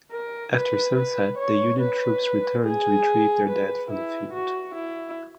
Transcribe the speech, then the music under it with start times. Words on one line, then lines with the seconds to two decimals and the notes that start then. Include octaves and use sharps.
After sunset the Union troops returned to retrieve their dead from the field.
0.11 A#4
0.53 B4
0.95 B4
1.38 C#5
1.80 B4
2.64 G#4
3.48 B4
3.91 E4
4.32 F#4
4.75 E4